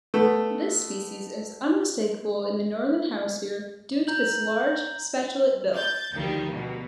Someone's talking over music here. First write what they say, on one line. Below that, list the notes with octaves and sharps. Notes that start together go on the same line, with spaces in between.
This species is unmistakable in the northern hemisphere due to its large spatulate bill.
A3 B3
A#5 G6 F#7
G6 A6
D2 D#3 F3 G3 A#3
B2 A#3